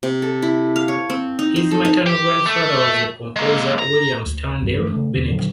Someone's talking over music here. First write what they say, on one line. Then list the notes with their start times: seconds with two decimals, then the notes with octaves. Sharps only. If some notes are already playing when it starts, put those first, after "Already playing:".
His maternal grandfather was the composer William Sterndale Bennett.
0.03 C3
0.22 A4
0.42 E4
0.76 F5
0.88 C#5
1.10 C4
1.39 D#4
1.56 C5
1.71 A4
1.85 D#4
2.07 G4
2.46 A3
3.36 G#3 A#3
3.79 A#5
4.26 D2
4.62 C2 G2 G3
4.77 G1 G2 E3 A3
4.92 C#3 A3
5.14 E2 D3
5.30 A#2 D3 F#3